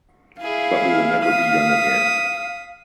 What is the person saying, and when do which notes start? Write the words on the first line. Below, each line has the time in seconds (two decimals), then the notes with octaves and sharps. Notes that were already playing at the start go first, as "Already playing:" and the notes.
But we will never be young again.
0.41 E4 G#4 F5
1.24 D#6 B6